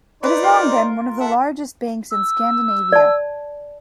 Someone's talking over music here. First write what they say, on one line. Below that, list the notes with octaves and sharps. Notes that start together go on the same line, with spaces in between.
It has long been one of the largest banks in Scandinavia.
D#4 B4 C5 D5
F4 A#4
A4 E5 F#5
E6
D5 A5